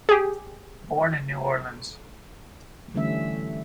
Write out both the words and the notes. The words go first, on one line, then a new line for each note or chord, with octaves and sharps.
Born in New Orleans.
G4 G#4
D3 E3 G3 A3 C#4 E5